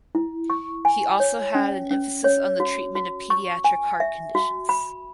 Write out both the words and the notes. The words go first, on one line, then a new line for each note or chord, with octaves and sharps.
He also had an emphasis on the treatment of pediatric heart conditions.
E4
C#6
G#5
C#5
C#4
C#4
C#5
F#4
F#4
C#6
G#5
E5
F#4
B5